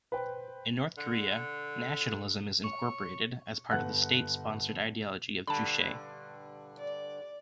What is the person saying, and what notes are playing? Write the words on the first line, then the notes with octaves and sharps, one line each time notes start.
In North Korea, nationalism is incorporated as part of the state-sponsored ideology of Juche.
B4 C5 G5
D3
C#5
G1 F#5 F#6
G2 D3 A5 B5
D5